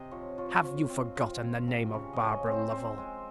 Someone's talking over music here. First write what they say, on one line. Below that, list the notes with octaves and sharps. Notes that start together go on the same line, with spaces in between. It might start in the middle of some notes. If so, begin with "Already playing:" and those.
"Have you forgotten the name of Barbara Lovel?"
Already playing: C3 D#5
F3 C#5
F3 C#5
F3
C4
F3
C4
C3
C#3 C#5
D#5
C#3
C#5
C4
C5
C4 C5
G#3